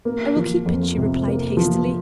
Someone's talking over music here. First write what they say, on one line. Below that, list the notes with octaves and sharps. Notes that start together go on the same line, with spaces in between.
"I will keep it," she replied, hastily.
A#3
F3
F2
C3
A#3
F3